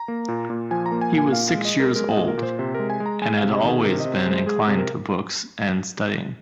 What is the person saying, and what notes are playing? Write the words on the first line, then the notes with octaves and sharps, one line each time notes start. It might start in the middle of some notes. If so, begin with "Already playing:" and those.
He was six years old, and had always been inclined to books and studying.
Already playing: A#5
A#3
A#2
A#2
F3 G#5
A#5
A#3
G#5
A#2
G#5
A#2 F5
F5
G#3
D#5
G#3
A#4
G#3 A#4
A#2 D#5
A#4
A#2
C5
C3 C5
G#3 A#4
G#5
G#3
A#5
G#3 G#5
F5
C3
D#5
D#3 G#4
C3 A#4
C3 D#5
C5
G#3 C5
G#3 G#4
G#4
C3
A#4